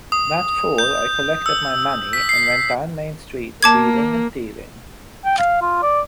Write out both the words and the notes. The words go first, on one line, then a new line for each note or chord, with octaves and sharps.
That fall I collected my money and went down Main Street wheeling and dealing.
D#6
G6
E6
B6
C7
A#3 A5 D6 G#6
G5
F5
F4
D5